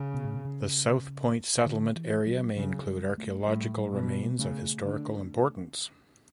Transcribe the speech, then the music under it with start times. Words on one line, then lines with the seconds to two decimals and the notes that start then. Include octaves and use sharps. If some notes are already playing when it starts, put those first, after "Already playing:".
The South Point Settlement area may include archaeological remains of historical importance.
Already playing: C#3
0.14 B2
0.24 A2
0.33 B2
0.45 C#3
1.66 D3
1.96 E3
2.27 F#3
2.56 C#3 F#3
2.87 G3
3.18 A3
3.48 A2 G3
3.78 G3
3.93 B2
4.02 F#3
4.09 G3
4.39 C#3 A3
4.84 D3